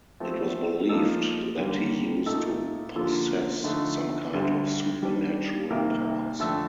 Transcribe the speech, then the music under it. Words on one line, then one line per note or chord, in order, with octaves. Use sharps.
It was believed that he used to possess some kind of supernatural powers.
F3 A3 C4
F3 A#3 D#4 A4
D#2 D3 G3 A#3
A#2 A3 D#4 A4
D3 F3 A#3 F4 A4
D3 F3 A3 D#4
D2 D3 G3
D#3 G3 D4
C2 C3 D#3 A#3
F2 D3 A3 D4 A4